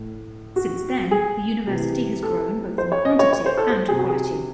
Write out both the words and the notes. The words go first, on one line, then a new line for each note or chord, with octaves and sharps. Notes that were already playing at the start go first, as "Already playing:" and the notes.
Since then, the university has grown both in quantity and quality.
Already playing: A2
F#4
G#4
C3 E3
A4
C5
C#5
D#5
C#5
C#5
C5
A4
C5
C3 F#3 G#4
F#4
G#4